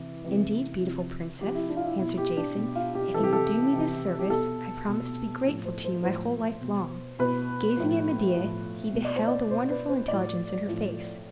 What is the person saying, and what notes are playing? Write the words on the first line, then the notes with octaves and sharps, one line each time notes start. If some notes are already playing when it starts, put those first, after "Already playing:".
"Indeed, beautiful princess," answered Jason, "if you will do me this service, I promise to be grateful to you my whole life long."' Gazing at Medea, he beheld a wonderful intelligence in her face.
Already playing: C3 E3
C3 E3
C3 F3
C3 F3 G4
E4
D4
F4
E4
B2 E4
G4
D4
B2
F4
G4
C3 E3 A4
G4
A4
C3 E3
G4
B2 A4
B2
A2 F3
C5
C5
A2 F3 C5
B2
B2 B4
A2 F3
A2 F3
B2
D5
C5
D5
B2 C5
B4
C5
A2 F3 D5
A2 F3